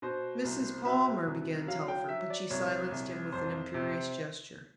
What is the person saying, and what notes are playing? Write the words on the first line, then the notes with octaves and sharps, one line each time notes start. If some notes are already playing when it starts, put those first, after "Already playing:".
"Mrs. Palmer," began Telford, but she silenced him with an imperious gesture.
B2 C5
C2
B2 E5
C2
F#3 F5
G5
F#3 E5
D5
C2 C#5
C2
F2 C5
C3